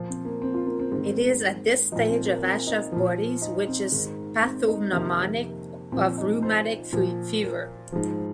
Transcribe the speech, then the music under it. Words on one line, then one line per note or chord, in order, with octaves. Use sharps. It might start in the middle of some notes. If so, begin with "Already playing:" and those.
It is at this stage of Aschoff bodies, which is pathognomonic of rheumatic fever.
Already playing: A#2 F3
C4
A#3
C4
F4
A#3
C4
G#2 D#3 C4
A#2 F3 D#4
C4
A#3
C4
D#4
A#2 F3
D#4
C4
G#2 D#3
C4
D#4
F2 C3 D#3 A#3
A#2 F3 C4
D#4
C5
A#2 F3
A#4
G#2 F3